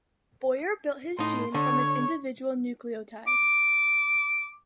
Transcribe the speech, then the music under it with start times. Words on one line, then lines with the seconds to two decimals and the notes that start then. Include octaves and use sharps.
Boyer built his gene from its individual nucleotides.
1.19 A2 D#4 C6
1.54 D3 C#5
3.27 D6